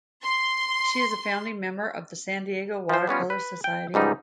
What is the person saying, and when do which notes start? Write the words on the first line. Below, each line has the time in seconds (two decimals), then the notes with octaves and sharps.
She is a founding member of the San Diego Watercolor Society.
0.24 C6 C7
2.89 F3 C5
3.07 G3 B3 C#4 F4
3.30 B4
3.64 G5
3.94 C#2 G#2 G3 D#4